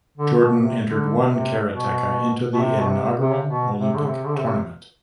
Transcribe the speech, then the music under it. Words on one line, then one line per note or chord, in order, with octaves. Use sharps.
Jordan entered one karateka into the inaugural Olympic tournament.
D3
B2
C3
D3
C3
B2
B2
C3
B2
C3
C3
B2
C3
D3
C3
D3
C3